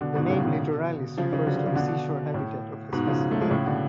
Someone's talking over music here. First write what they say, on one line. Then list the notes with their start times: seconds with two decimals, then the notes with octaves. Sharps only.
The name "litoralis" refers to the seashore habitat of the species.
0.01 B2 D3
0.15 G#2 B2
0.30 A2 C#3
0.44 B2 D3
1.18 C#3 F3
1.33 C#3 F3
1.46 D3 F#3
1.56 D3 F#3
1.66 C#3 F3
1.75 B2 D3
2.34 A2
2.92 G#2 B2
3.07 C#3 F3
3.31 F#3 A3
3.41 F3 G#3
3.51 A2 C#3
3.66 B2 D3